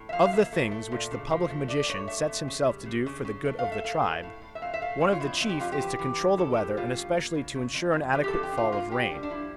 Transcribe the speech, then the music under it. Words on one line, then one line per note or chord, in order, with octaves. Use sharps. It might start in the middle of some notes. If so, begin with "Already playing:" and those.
OF THE THINGS which the public magician sets himself to do for the good of the tribe, one of the chief is to control the weather and especially to ensure an adequate fall of rain.
Already playing: A2
E5
F3 F5
F5
A#3 E5
A3
A3
A#2
C#3
F3
A3
A3 D5
G2 C#5
A3 E5
F2
C#3
G3
C#3
C#3
C#3
A3
F5
A3
E5
A3 F5
A2
A2
A2
E5
F2 F5
E5
A3 F5
F2 C#5
F4
F2 E4
F2
G4
F2 F4
G4
E3
E3
G2
E3 A4
A4
E2 G4
G3 F4
C#3
A#3
C#3
C#3
F2
F2
E3 G4
G4
A4
F2
G4
C#3
F4
A#3 F4
A#3 G4
G3 D4
D4
F3 E4